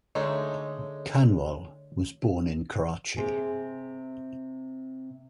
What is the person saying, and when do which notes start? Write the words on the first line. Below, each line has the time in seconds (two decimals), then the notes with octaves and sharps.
Kanwal was born in Karachi.
0.15 D3 G#3 A3 D#4 C#5 E5
3.17 C3 G#4